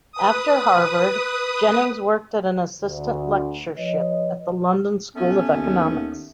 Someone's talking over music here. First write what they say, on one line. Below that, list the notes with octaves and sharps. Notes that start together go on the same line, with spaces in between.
After Harvard, Jennings worked at an assistant lectureship at the London School of Economics.
B4 D#6
D2
F3 B4 C#5 D#5
A3 B3 C#4
D#2